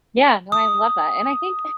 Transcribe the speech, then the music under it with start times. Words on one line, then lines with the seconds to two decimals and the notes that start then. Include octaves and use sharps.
Yeah, no, I love that. And I think
0.52 D#6